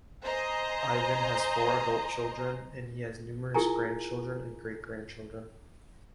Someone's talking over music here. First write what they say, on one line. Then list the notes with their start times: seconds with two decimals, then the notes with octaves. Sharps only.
Ivan has four adult children and he has numerous grandchildren and great grandchildren.
0.21 C5 D#5 G#5 A#5
3.54 E4 F4 G#4 A#4 G#5 A#5